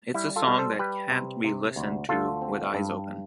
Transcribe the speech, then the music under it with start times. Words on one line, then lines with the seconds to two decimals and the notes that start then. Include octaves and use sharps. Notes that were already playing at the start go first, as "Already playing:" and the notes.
It's a song that can't be listened to with eyes open.
0.14 G3 E4
0.36 F4 A4
0.47 G3 B4
0.57 A4 C5
0.79 G3 G4 B4
1.12 C3
1.44 C3
1.76 D2
2.09 D2 F4 A4
2.42 C4
2.74 G2